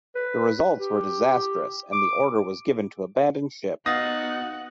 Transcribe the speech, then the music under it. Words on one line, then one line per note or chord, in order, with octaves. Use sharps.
The results were disastrous and the order was given to abandon ship.
B4
G4
D6
B3 D#4 F#4 F5 F#5 D#6 A6 A#6